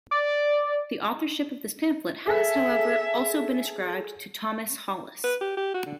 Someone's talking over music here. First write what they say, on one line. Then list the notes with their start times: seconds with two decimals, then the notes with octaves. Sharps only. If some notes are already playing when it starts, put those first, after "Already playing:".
The authorship of this pamphlet has, however, also been ascribed to Thomas Hollis.
0.11 D5
2.27 G#4 A4 E5
5.24 B4
5.41 G4
5.57 G4
5.74 F#4
5.86 D3